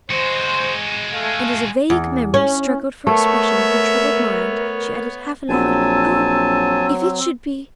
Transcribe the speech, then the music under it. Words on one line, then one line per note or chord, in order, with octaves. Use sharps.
And as a vague memory struggled for expression in her troubled mind she added half aloud: "Oh! if it should be ...!"
G#3 F#4 C5
A3 F5
E2
C#4
A3 B3 A#4 C#5 E5
A#1 F#3 C4 G#5 A5